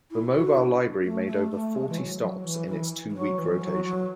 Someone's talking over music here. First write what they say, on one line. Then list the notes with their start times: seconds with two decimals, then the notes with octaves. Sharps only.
The Mobile Library made over forty stops in its two week rotation.
0.11 E4
0.35 F#4
0.57 D4
1.05 A3
1.28 A3
1.52 A3
1.75 G#3
1.89 E3
1.98 F#3
2.22 F#3
2.44 E3
2.68 E3
3.10 G#3
3.15 F#3
3.39 E3
3.62 F#3
3.85 F#3